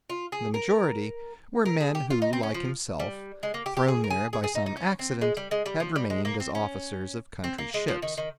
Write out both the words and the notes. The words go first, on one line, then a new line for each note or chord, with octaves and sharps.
The majority were men who, like himself, thrown there by some accident, had remained as officers of country ships.
F4
G#4
A#4
A#4
G#4
G4
F4
D#4
C4
C#4
F3
G3
G#3
A#3
G4
G4
G#4
A#4
G#4
G#4
G#4
D#4
D#4
C#4
C4
G#3
G3
G#3
G3
F3
G3
G#3
A#3
C4
C#4
C4
A#3
G#3
F3
D#3
D#3